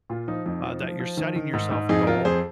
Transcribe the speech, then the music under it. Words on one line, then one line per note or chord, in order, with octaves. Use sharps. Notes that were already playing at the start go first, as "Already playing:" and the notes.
uh, that you're setting yourself a goal
A#2 F4
F3 D#4
F2 D#4
F3
F3
F3
D#3
D#3
G#2
G#2
F2 D#4 G#4
F2 F4 A#4
F2 G#4 C5